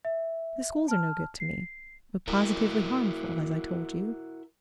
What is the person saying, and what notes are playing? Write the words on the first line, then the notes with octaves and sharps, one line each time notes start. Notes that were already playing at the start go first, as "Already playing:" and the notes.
The schools are no good to me, but positively harmful, as I told you.
E5
A5 F6
C7
E4 F#4 A#4